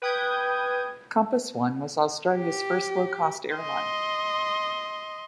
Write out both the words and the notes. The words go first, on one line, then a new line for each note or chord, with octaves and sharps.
Compass I was Australia's first low cost airline.
B4 G5 D#6 G6 G#6
G4
D#5 C6